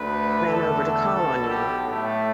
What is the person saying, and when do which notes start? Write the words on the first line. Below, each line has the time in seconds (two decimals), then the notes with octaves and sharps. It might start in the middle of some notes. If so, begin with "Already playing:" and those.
Ran over to call on you.
Already playing: D2 D3 A3 B4
0.46 E2 D3 A3 A4
0.81 A4
1.14 B1 B2 B3
1.49 G4
1.84 A2 A3